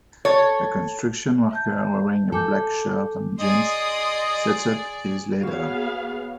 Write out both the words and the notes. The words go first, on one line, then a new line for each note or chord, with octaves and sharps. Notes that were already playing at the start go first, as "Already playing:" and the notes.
A construction worker wearing a black shirt and jeans, sets up his ladder.
A4 C#5
E5 A5 G6
A4 G#5 D6 G6
G#4 D5 D#5 C6 D#6
B3 F#4 G#4 C#5 F5